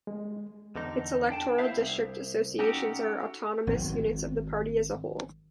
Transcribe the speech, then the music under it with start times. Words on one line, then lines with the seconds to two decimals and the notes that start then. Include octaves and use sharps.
Its Electoral District Associations are autonomous units of the party as a whole.
0.07 G#3
0.75 E2 D3 D#4
1.30 D4 G5 A5
1.58 B3 E4 C5 E5 F5
1.77 C2
2.59 C#4 D#4 F#4 G4 A4
3.67 G#1 F#3 C4